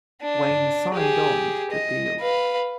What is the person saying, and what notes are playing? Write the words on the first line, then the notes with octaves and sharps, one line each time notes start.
Wayne signed on to the deal.
D4
G4 G#4
D#5
B4 F5